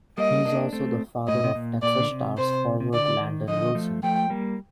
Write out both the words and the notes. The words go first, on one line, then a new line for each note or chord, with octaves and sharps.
He is also the father of Texas Stars forward Landon Wilson.
G3 A#3 D#5
A#3 D4
A3 C4
A2 D#5
C3
A#2
A#2 D5
D3
C3
C3 C5
C3
D3 D5
D#3
D3 F3 D#5
F3 A3
F3 A3 G5
G3 A#3